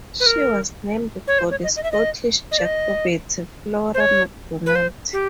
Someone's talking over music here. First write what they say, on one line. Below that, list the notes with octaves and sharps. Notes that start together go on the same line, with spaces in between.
She was named for the Scottish Jacobite Flora MacDonald.
B4
A#4
C#5
C5
C#5
D#5
D#5
E5
D#5
D#5
D5
D#5
C5
C#5
B4
C5
G4